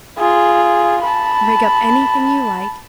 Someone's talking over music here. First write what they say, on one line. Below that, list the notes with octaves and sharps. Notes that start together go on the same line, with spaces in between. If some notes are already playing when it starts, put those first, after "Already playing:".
Rig up anything you like....
F4 G#4
A5 B5